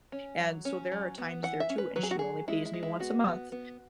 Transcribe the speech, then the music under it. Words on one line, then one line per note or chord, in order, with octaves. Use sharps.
and so there are times there too and she only pays me once a month,
C#4
F#3
C#4
F#3
B3
E3 F#5
E5
C#4
B4
F#3 B4
G#4
F#4
F#3 G#4
G#3 E4
E4
G#3
E4
B3 F#4
B3
B3